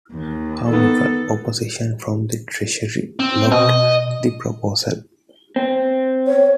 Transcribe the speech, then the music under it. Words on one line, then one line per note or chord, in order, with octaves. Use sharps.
However, opposition from the Treasury blocked the proposal.
D#2
D#3 B3 A4
C4
B2 D#5
C4
C#5